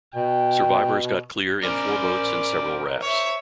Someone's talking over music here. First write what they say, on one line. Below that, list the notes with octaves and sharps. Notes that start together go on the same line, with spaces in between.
Survivors got clear in four boats and several rafts.
B2 G5
C#4 A#4 C5 D5
C#5 E5